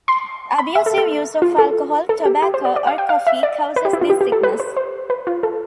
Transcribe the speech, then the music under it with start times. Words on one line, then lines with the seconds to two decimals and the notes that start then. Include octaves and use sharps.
Abusive use of alcohol, tobacco or coffee, causes this sickness.
0.08 C6
0.58 B5
0.75 E5
0.86 A4
0.98 A4
1.42 F4
1.58 A4
2.09 A4
2.25 G4
2.42 G4
2.54 C5
2.65 D5
2.76 D5
2.87 F5
2.98 G5
3.09 F5
3.27 E5
3.43 D5
3.76 B4
3.85 G4
3.93 E4
4.01 F4
4.10 G4
4.21 G4
4.32 A4
4.43 B4
4.60 C5
4.77 C5
5.10 B4
5.27 F4
5.43 A4